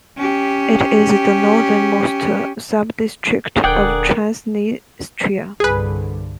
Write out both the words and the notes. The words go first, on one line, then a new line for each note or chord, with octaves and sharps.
It is the northernmost sub-district of Transnistria.
C#4 G4
D#1 D3 G#4 A#4 D5 F#5 G5
C2 G2 D3 G#4 B4